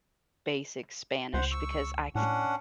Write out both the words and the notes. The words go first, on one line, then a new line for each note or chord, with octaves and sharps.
basic Spanish because I
C#2 C5 F#5
C#6 E6
A2 C#4 D4 F#5